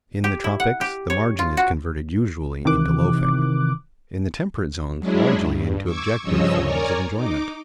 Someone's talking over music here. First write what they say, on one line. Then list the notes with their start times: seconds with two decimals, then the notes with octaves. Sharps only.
In the tropics the margin is converted usually into loafing, in the temperate zones largely into objective forms of enjoyment.
0.24 G4
0.44 E4
0.60 F#5
0.81 G4
1.10 C#5
1.39 F4
1.57 F#4
2.65 C3 D#3 E3 D6 F#6
4.99 F#3 G#3 C#4 D4 E4 G#4
5.41 G2
5.84 C#6 D6 E6 G#6
6.22 G2 C#3 F3 C#5 D#5 E6
6.62 A#4 C#5 D5 G#5 A#5
7.13 D#4 D6